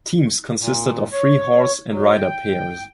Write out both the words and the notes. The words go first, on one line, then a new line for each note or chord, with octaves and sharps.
Teams consisted of three horse and rider pairs.
A#2
C#5
F#3
G5